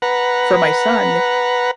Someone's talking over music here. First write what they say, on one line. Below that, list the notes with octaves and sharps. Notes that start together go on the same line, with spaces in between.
for my son,
B4 F#5 A#5